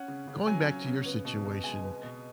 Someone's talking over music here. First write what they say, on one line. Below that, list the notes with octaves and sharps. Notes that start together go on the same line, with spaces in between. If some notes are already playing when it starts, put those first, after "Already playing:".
going back to your situation,
Already playing: C#4 F#5
C#3
C#3
F#3 G#5
C#4
C#3
B3
B2
B2
G#3 G#5
B3
B2